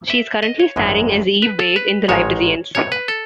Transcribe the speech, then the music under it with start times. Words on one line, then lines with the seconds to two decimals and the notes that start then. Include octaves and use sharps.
She is currently starring as Eve Baird in "The Librarians".
0.10 E5
0.43 D#5
0.60 C#5
0.76 G#1 F#2 E3 G#3
1.42 B4
1.59 A4
1.76 B4
2.08 A1 G#2 D#3 G#3 C#5
2.75 C#5
2.92 B4
3.08 A4